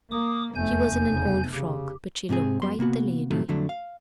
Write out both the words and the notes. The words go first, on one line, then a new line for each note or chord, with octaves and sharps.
She was in an old frock, but she looked quite the lady.
A#3 D6 D#6
F1 E2 A3 G#5 G6
C#3
C#3 G4
G#2 C3 C4 G#4
F#2 B3 C6
C3 A#3 B3 F#4
A2 C3 D#3 F3 F#3 A3
F2 D3 F#3 A3 D4
F5